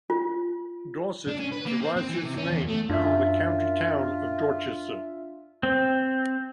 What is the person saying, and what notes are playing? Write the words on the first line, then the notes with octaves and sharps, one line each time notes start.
Dorset derives its name from the county town of Dorchester.
F4
D4
C#4
B4
A#3
C4
C4
E3
C3
C#4
E2
A3
F#2 D4 F4 E5
C4